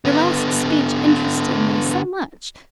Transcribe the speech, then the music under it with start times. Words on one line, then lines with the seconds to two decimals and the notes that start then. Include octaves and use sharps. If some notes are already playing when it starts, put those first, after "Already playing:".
Your last speech interested me so much.
0.05 D3 B3